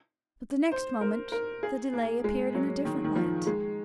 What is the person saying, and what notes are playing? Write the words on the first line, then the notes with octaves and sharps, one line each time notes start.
But the next moment, the delay appeared in a different light.
C5
A#4
A#4
G#4
A#3
G#3
F#3
D#3
D#3
F3
G#3